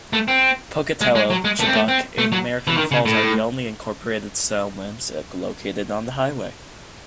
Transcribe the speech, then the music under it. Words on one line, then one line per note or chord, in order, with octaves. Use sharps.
Pocatello, Chubbuck and American Falls are the only incorporated settlements located on the highway.
A3
C4
G#3
G#3
F#3
G#3
A3
C4
A3
C4
A3
F#3
E3
D#3
C#3
A2